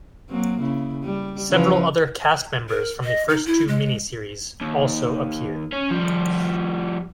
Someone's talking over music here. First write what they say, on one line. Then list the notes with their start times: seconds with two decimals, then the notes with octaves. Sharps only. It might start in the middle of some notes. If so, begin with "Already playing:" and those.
Several other cast members from the first two miniseries also appear.
0.29 F#3 A#3 C4
0.61 C#3 E4
1.03 G3
1.50 C#3 E3 F3
2.69 A#4
3.04 D#5
3.29 D#4
3.46 E4
3.68 G#3
4.62 D#2
5.73 C#4
5.91 F3 G3